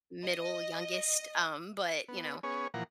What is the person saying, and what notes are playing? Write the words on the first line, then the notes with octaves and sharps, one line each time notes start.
middle youngest, um, but, you know,
D#5
B3
B3 C#4 G#4 C#5
A#2 E3 F3 F#5 A#5